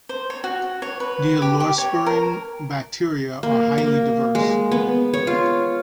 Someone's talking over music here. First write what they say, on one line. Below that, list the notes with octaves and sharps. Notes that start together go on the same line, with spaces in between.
Dehalorespiring bacteria are highly diverse.
C5
C#5
F#4
C#5
B4
G4
G4
C#5
A#4
A#3
A#3
G#3
B3
C#5
F4